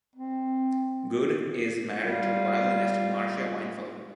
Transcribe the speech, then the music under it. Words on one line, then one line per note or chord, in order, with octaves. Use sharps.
Goode is married to violinist Marcia Weinfeld.
C4
G3 F4